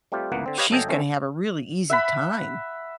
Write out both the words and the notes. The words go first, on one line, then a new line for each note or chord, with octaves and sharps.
she's gonna have a really easy time.
G3 A3 C4 F4 G4
G1 C#2 E3 A#3 B3 F#5
D3 C4
G4 B4 C#5 D#5 F5
G1 F#3 A4 D#5 G5 G#5
D#3 A3 C4 C#4
E5 F#5 B5